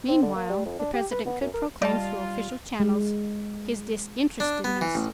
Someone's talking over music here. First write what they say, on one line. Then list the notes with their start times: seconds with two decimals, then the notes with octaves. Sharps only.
Meanwhile the President could proclaim through official channels his disinterestedness.
0.08 C4
0.22 D3
0.35 A#3
0.50 G3
0.66 F2
0.79 D4
0.93 G4
1.11 B4
1.26 B3
1.41 F#2
1.54 A#4
1.82 G3 F4 D5 D#5 A5
2.80 G#3
4.40 D4
4.64 B3
4.81 E3
4.95 A1